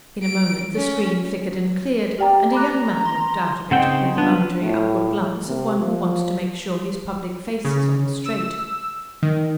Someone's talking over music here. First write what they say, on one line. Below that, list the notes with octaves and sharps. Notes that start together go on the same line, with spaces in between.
In a moment, the screen flickered and cleared, and a young man looked out of it, with the momentary upward glance of one who wants to make sure his public face is on straight.
D7
C#4
G4 D5 G5 A#5
A#5 B5 D6 F#6
C6
C#3 C4 D#4 F#5 G5
B3 D4 F4
A2
C3
F3
C#3
E6
D#3